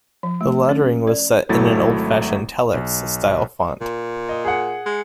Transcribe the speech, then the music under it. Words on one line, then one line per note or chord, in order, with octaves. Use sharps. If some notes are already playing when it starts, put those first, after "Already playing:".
The lettering was set in an old fashioned telex-style font.
F3
A3
C#4
D5
G#1 F#3 A3 E4 A6
B1
A#2
D#5
G#4 F#5
G#3